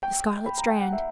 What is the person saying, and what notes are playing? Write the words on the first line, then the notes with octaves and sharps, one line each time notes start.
'The scarlet strand!
G5
B5
A#5
G5
F#5
E5